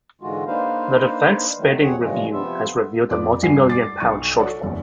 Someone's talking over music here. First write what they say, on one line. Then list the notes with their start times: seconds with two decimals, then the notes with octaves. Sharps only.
The Defence Spending Review has revealed a multi-million pound shortfall.
0.21 G#2 D3 E3 G#3 F4 F#4
0.47 A#3 D4 D#4 B4 C5 F5
1.58 D#3 F#3 A3
1.81 E2 C3 C4 G#4 C#5 F#5
1.99 G2 A#2 C#3 E3 F3 G#3
2.32 C3 F3 B3 F4 E5
3.11 F2 F3 B3 D5 D6
3.43 F1 G2 F#4 G#5 C7
3.69 D5 D6 A6
4.00 B1 D5 C#6
4.39 F#4 A4 C#5 D5
4.63 F#1 E2